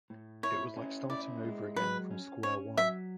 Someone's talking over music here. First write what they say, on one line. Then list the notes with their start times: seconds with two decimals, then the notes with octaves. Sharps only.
It was like starting over again from square one.
0.10 A2
0.43 E4 C#5
0.77 C#4
1.10 E4 D5
1.44 G#3
1.76 F#3 B4
2.11 C#4
2.43 C#4 C#5
2.77 F#3 E5